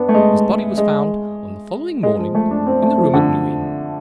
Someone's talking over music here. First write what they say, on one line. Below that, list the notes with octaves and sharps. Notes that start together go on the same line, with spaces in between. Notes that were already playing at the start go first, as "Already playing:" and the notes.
His body was found on the following morning in the room at New Inn.
Already playing: B3 D4
A3
G#3
G#3
G#3
F3
A3
D4
C4
A3
F3
D3